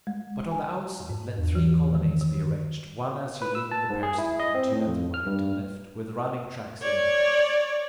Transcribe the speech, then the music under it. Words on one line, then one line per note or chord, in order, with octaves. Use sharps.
But on the outside, let three colonnades be arranged, one as you leave the peristyle and two at the right and left, with running-tracks in them.
G#3
G#5
G#2
E2
E3
D#3
D#3
B4
E6
A5
G#2
G#4
E4
D#5
C4
A2
F2
F6
G2
C#5 D5